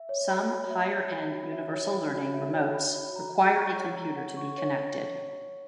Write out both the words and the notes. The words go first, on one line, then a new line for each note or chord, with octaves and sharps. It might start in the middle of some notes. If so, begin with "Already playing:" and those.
Some higher end universal learning remotes require a computer to be connected.
Already playing: E5
C#5
B5
F#4
E5
C#5
B5
F#4
E5
C#5
B5
F#4
E5
C#5
B5
F#4
A#5
F#5
C#6
C#5
A#5
F#5
C#6
C#5